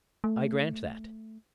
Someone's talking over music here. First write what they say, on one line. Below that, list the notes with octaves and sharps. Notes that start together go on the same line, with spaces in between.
I grant that.
A3